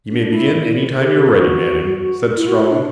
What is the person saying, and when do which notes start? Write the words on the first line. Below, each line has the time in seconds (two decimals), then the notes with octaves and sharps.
"You may begin any time you are ready, Manning," said Strong.
0.11 D4
0.33 E4
0.56 E4
1.00 A4
1.04 G4
1.23 G4
1.27 F#4
2.37 E4
2.48 F#4
2.58 E4
2.70 D4